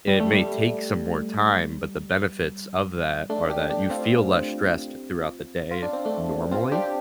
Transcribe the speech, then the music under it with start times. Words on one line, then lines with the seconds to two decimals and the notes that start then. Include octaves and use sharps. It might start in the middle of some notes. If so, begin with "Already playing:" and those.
it may take some more time, but the benefits of that, are that, you feel less stressed throughout the day, normally.
0.08 G3
0.20 A3
0.33 G3
3.30 A3 D4
3.50 D4 G4
3.70 D4 G4
3.90 C4 F4
5.71 F4
5.83 D4
5.93 C4
6.05 A3 D4
6.51 C4 F4
6.72 D4 G4